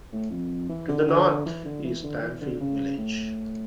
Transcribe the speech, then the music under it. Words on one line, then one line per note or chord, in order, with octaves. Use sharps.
To the north is Tanfield village.
A2
F2
E3
D3
D3
E3
D3
E3
D3
E3
D3
D3
C#3
A2